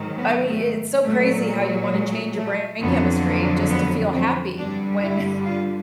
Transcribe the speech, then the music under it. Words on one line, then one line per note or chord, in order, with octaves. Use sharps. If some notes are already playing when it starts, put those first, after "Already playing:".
I mean, it's so crazy how you wanna change your brain chemistry just to feel happy when,
Already playing: G#2 D#3 F#3
B3
A3
A#2 F#3 A3
G#3
A3
F2 D3 F#3 B3
A#3
B3
C4
G2 D3 G3 D4
E4
F4